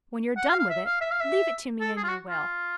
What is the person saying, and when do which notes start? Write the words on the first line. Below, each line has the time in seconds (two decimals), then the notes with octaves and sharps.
When you're done with it, leave it to me in your will.
0.37 F#5
0.49 F5
0.59 F5
0.70 E5
0.86 F5
1.02 E5
1.11 F5
1.20 E5
1.81 A4
1.97 G#4
2.04 F4
2.08 F#4
2.29 F4